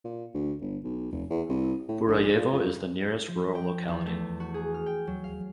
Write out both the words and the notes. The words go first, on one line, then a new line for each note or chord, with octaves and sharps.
Burayevo is the nearest rural locality.
A#2
D2
G1
B1
F1
E2
C2
A2
A#1
A#2
F2
F3
G5
E2
A3
F#4
G#4
F6
G5
F#3
F5